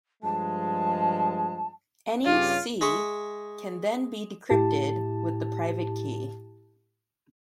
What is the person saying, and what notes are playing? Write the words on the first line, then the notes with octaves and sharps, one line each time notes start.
Any "C" can then be decrypted with the private key.
G2 F3 G#3 A5
G2 C#3 C#4 F4 G4
G#3 D#5 E5 C#6
A2 E4 G4 A5